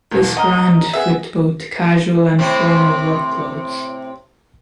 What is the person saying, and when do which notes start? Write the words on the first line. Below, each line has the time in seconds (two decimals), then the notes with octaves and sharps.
This brand flipped both casual and formal work clothes.
0.11 E1 E2 B3
0.37 D#5 F#5 A#5 F6
0.93 B3 G#4 E5 F#5
2.39 A2 C3 C4